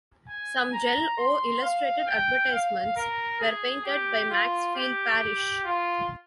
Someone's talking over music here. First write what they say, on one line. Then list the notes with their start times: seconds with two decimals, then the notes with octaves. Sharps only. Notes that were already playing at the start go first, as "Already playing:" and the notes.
Some Jell-O illustrated advertisements were painted by Maxfield Parrish.
0.29 G#5
0.73 A#5
1.17 C6
1.62 F5
2.07 G5
2.51 F5
2.96 A#4
3.40 G#4
3.85 G4
4.31 F4
4.75 G4
5.64 F4